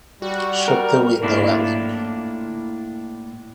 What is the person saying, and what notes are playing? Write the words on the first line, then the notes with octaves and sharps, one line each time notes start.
Shut the window, Ellen!
G3 F#4
A#4
A2 A#3 D4 E4 F4